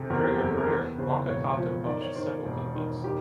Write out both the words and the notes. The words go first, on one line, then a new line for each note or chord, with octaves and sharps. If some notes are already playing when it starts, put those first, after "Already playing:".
During her career, Blanca Cotta published several cook books.
Already playing: C3 D#3 G#4 A4
E2 A#4
G4
F#1 G#4
A4
A#4
E2 B4
C#3 C5
E1 C#5
F3
D#3 D5
C#5
D#3 C5
E1
D#3
D#3 G4